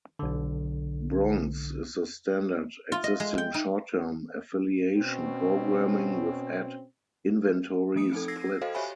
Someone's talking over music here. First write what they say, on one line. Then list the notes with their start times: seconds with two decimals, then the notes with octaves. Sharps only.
Bronze is the standard existing short term affiliation, programming with ad inventory splits.
0.19 B1 D3
2.92 F4
3.04 D#5
3.20 G#3
3.38 G5
3.54 D#4
4.96 B2 C4 C#4
7.96 F3 A3 D#6 C#7 D7
8.12 C4 D#4 A4
8.28 E6 G#6 A#6 C7
8.61 F#4 A4 C5 D#5 F5 G5
8.75 G4 C#5 E5 F5 G#5 B5